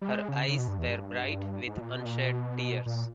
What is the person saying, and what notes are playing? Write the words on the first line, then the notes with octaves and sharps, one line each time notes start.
Her eyes were bright with unshed tears.
G3
G#3
C#3
C#3
B2
G2
E2
G2
G#2
B2
A#2
B2
A#2
B2
A#2